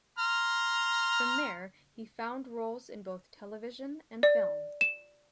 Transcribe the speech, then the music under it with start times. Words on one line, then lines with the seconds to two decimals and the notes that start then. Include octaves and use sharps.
From there, he found roles in both television and film.
0.18 A#5 C6 F6
4.23 D5
4.81 E7